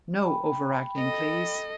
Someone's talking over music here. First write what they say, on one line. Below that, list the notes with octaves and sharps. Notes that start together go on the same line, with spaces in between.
No overacting, please.
G5 B5
A4 D#5